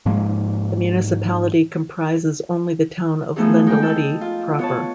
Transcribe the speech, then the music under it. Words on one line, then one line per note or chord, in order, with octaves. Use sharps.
The municipality comprises only the town of Lendelede proper.
G#2 F3 G#3 A#3
F3 A3 B3 D#4 G#4
G#3 D#4 G5 G#5
A4
F4
B3 C#5 A5